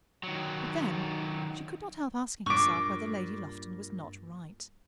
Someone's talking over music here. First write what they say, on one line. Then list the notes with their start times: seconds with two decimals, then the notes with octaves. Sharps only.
But then she could not help asking herself whether Lady Lufton was not right.
0.23 D#3 F#3
2.46 G2 A#2 C#6 D6